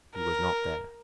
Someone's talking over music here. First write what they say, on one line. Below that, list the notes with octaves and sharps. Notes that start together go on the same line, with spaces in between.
He was not there.
A#4